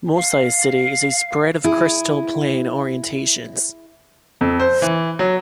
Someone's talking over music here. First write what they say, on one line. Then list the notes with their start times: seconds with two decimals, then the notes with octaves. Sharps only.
Mosaicity is a spread of crystal plane orientations.
0.15 F5
1.64 E4 G#4
4.41 F2
4.60 C5
4.82 E3
5.19 F#3